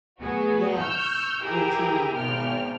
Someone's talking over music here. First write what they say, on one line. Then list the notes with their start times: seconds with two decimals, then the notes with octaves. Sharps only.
Yes. Routine.
0.20 F#3 A3 B3 F#4 G#4
0.78 C#6 E6 F6 G6
1.41 E4 G4 G#4 A#4 G5 A#5
2.15 G#1 B2 B3 G5 F6